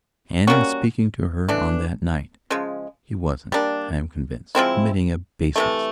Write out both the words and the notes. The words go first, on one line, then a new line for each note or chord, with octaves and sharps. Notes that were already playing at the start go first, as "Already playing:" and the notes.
And, in speaking to her on that night, he wasn't, I am convinced, committing a baseness.
G3 A#3 C#4 F#4
E3 A3 D4
C#3 F3 G#3
G3 A#3 D4
F3 G#3 C4 E4
C3 E3 A3